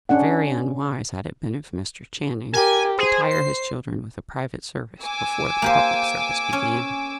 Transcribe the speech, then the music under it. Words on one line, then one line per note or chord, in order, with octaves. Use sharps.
Very unwise had it been of Mr. Channing, to tire his children with a private service before the public service began.
C#4 D4 F#5
G4 A#4 G#5
G#4 C5
C7
G#5 D6 E6
A#3 G4 C5
C#4